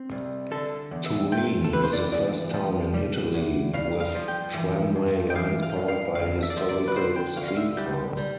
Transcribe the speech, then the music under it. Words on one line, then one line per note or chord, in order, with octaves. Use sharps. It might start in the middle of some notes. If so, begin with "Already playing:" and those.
Turin is the first town in Italy with tramway lines powered by historical streetcars.
Already playing: C4
C2
D3 A4
E2
E5
C3 G5
A4
E3 B4
C5
D5
E2 D5
F3
G3
E2
G2 F5
F5
F3
G5
E3
F2
G5
E3 F5
F5
G2
F5
D2 F5
E5
D5
F3 E5
D5
B4
D3 C5
G5
D2 F5
F5
E5
G3 G4
G3